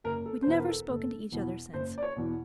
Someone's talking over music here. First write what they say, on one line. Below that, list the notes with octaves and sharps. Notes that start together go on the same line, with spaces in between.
We've never spoken to each other since.
F#1 A#4
A4
C5
E2 B2 B4
A#4
A4
F#1 A4
E2 B2
F#1 C5
D5
C#5
E2 B2